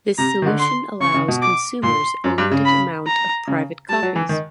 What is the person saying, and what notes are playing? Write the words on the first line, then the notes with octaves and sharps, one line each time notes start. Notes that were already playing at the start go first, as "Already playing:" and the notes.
This solution allows consumers a limited amount of private copies.
C3 A#5
D#3
D3
C6
C#3 C#6
C#3
B2
D6
A#2 C6
F#2
G2
C#3
B5
A#5
C#3
G3 A5
F#3
E3
D#3